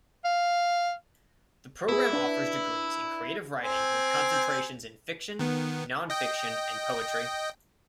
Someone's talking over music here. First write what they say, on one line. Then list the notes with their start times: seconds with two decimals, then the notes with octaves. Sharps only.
The program offers degrees in creative writing, with concentrations in fiction, non-fiction, and poetry.
0.25 F5
1.89 B3 E4 G#4
2.13 D4 B4
3.61 C4 G#5
5.39 D#3 B3
6.10 D#5 G5